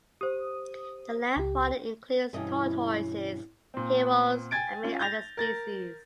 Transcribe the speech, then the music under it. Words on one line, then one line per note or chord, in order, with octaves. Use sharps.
The land fauna includes tortoises, herons and many other species.
G4 C5 D#6
C#2 G4
G2 B2 E3 C#4 D#5
A#2 C4
G5 G#5 G#6 A6 D7
C#4 F4
G6 A6 A#6 F7
A#4 A6 A#6